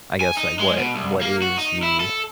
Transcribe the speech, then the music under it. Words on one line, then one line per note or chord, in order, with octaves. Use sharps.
I guess, like, what what is the
G#5
D#4
G#3
B2
C2
A#3
F#4
D#4
E4
A4